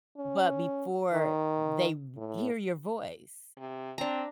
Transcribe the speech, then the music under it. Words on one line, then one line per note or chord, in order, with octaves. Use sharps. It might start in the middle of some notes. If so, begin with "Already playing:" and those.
but before they r hear your voice.
C#4
D#3
A2
C3
C4 D4 A#5